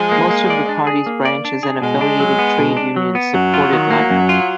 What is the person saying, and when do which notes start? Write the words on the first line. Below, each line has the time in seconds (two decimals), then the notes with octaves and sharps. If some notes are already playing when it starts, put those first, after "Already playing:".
Most of the party's branches and affiliated trade unions supported Lang.
Already playing: F3 G#3
0.12 A#3
0.30 A#3
0.50 D5
0.69 D4
0.87 G#4
1.06 A#3
1.25 D5
1.45 D4
1.63 G#4
1.82 B2 G#3
2.01 D4
2.20 F#3
2.39 B3
2.58 B2
2.77 D4
2.96 F#3
3.15 B3
3.34 F#2 F#3
3.54 F4
3.73 D#3
3.91 A#3
4.10 F#2
4.29 F4